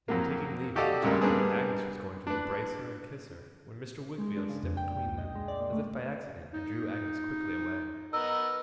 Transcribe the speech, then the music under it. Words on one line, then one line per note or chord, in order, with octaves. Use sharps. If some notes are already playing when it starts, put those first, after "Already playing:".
They were taking leave of each other, and Agnes was going to embrace her and kiss her, when Mr. Wickfield stepped between them, as if by accident, and drew Agnes quickly away.
F2 F#3 A#3
F#4 G4 A4 D5 D#5 F5
A#2 C#3 G3 G#3 A#3
G3 A#3 B3 D4 G#4
D4 B4
G#3
D4
C#3
F2
G5
A#2
C#2
D#5
G#3
D5
A#3
A3
D#4
B3 A#4 D#5 E6